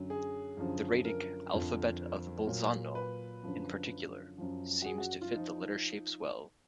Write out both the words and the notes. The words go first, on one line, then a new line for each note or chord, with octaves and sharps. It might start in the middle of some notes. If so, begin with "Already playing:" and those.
The Raetic "alphabet of Bolzano" in particular seems to fit the letter shapes well.
Already playing: F#2 D3 F#3
G#4
F#2 D3 F3
A#4
F2 D3 F3
A#2 F#3
B4
F#2 D3 F3
F#2 F3
F#4
G#4
F#4
F4
F3 D#4